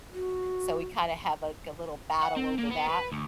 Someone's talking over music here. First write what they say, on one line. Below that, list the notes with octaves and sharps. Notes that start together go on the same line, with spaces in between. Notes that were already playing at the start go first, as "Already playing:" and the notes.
So we kind of have, like, a little battle over that
F#4
F#5
C4
A#3
B3
B4
D2